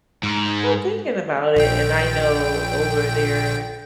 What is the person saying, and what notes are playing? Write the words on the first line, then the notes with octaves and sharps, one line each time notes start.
I'm thinking about it, and I know over there
G#2
A#1 G5